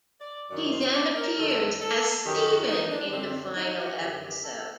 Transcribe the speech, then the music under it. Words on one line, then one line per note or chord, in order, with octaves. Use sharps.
He then appears as Steven in the final episode.
D5
F#2 D#3 D5
C5
D5
A#4
F#2 D#3 A4
A4
F#2 D#3 G4
F#4
D#4
D4
F#2 D3 C4
D4
D#4
F#4
F#2 D3 G4
G4
A4